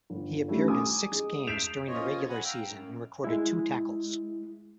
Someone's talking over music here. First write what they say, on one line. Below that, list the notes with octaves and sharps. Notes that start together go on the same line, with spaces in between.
He appeared in six games during the regular season and recorded two tackles.
G1
D#3 G3 A3 C#4
G#5 A#5 D6 D#6
G#3
G6 B6 C7 D7 E7 F7
F3 A#3 C#4 F4 C#5 D#5
F#5 G#5 A#5 B5
F5 G5 A#5 E6
F#2
G#3 E4